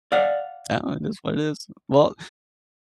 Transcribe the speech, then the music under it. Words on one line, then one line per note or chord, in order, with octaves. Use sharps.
That one this one is well,
D5 F5 F#5